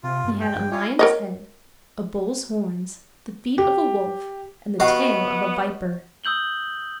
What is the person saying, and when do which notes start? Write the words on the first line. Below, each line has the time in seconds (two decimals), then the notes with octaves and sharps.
He had a lion's head, a bull's horns, the feet of a wolf, and the tail of a viper.
0.03 C3 F4
0.24 G2
0.41 G5
0.56 G2
0.72 C#4 E4 F4 C#5
0.99 A#4 C#5 D#5
3.58 G4
4.80 B3 F#4 G4 D#5 F5 F#5
6.24 D#6 E6 G6 F#7 G7